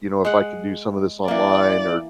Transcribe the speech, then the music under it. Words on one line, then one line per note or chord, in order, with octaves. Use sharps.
you know, if I could do some of this online or
G#3 F#5
E3 A#3 D5